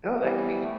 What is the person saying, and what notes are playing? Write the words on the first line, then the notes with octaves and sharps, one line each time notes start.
No, that could be f
E3 G3 B3
A3